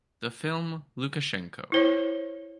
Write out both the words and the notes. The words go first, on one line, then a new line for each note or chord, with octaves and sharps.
The film ‘Lukashenko.
E4 C5 C#5